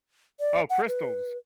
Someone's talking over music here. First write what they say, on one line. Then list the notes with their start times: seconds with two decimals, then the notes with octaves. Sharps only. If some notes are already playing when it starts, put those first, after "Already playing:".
Oh, crystals.
0.40 D5
0.70 F#5
0.88 B4